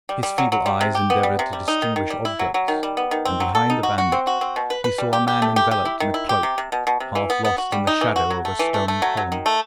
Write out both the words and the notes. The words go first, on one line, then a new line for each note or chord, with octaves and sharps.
His feeble eyes endeavored to distinguish objects, and behind the bandit he saw a man enveloped in a cloak, half lost in the shadow of a stone column.
G3
G3
F#3
F#3
G3
C3
G4
B3
G3
C3
G3
D#4
D#3
D#3
G3
E4
F#3
F#3
D#3
G3
B3
D#3
C4
F#3
A4
D#4
F#4
F#4
C4
F#4
C4
B2
B4
B4
G3
G4
G4
A3
G4
G4
E4
D#3
E4
G4
C3
C3
B2
B2
C3
E3
B3
B3
F#4
G3
D#4
E3
F#4
F#3
A3
E3
A3
A3
F#3
F#3
D#3
A3